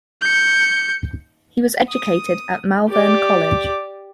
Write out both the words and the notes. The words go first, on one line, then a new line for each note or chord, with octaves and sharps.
He was educated at Malvern College.
G6 C#7
D#6
G4 D5